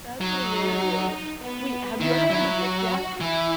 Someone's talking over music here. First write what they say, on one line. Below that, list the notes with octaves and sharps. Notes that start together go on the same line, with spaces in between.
That's hilarious. Wait, have you ever heard of Yik Yak?
F#3 D#4
B3
D#3 E4
F#3
F#4
E3 E4